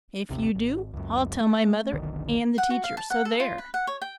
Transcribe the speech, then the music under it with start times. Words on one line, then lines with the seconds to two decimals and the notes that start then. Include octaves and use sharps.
"If you do, I'll tell my mother and the teacher, so there!"
0.30 A1 D#2 C3
0.55 G#1
0.93 C#2 F#2
1.40 A3
1.92 F1 B1 D3 D#3
2.58 F#5
2.70 F#4
2.84 F5
2.97 A5
3.10 F#5
3.25 A4
3.40 F4
3.58 B4
3.74 F#5
3.87 C#5
4.02 G5